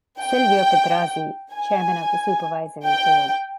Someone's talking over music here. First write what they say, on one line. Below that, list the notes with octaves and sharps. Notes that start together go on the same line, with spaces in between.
Silvio Pedrazzi, Chairman of the Supervisory Board.
G5
G#5
G5